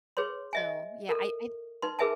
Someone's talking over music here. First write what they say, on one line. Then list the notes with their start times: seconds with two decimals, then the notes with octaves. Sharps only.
So, yeah, I I
0.17 G#4 B4 C#5 C6
0.53 D#5 E5 G#5
1.09 A4 A#4
1.82 D#4 B4 C6
1.99 G#4 A#4 B4 E5 G#5 A5